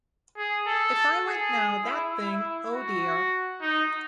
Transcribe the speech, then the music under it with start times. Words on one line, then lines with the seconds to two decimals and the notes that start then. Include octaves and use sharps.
If I went now, that thing — oh dear!
0.38 G#4
0.67 A4
1.26 G#4
1.84 E4
2.15 E4
2.73 F#4
3.61 D#4